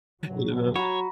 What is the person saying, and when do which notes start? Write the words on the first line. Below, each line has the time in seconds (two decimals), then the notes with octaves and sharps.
You know?
0.23 F#3
0.76 F#4 C#5 A#5 B5